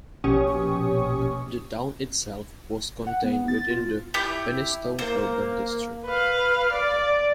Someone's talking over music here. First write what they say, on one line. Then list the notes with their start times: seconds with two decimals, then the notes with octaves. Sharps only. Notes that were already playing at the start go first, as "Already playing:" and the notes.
The town itself was contained within the "Penistone Urban District".
0.24 A#1 B2 C#4 G4 C#6 D#6
3.07 F#5
3.23 B3
3.48 A6
3.70 F4
4.14 E4 G4 G6
4.99 A#3 C5
6.05 B4 F5
6.72 D5